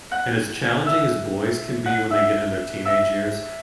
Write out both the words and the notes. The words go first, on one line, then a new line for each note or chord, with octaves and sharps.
And as challenging as boys can be when they get in their teenage years,
F#5 F#6
E5 E6
F#5 F#6
E5 E6
E5 E6